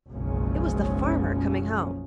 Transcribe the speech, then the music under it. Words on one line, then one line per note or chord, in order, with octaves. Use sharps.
It was the farmer coming home.
F#1 B1 C#3 F3 G#3 C#4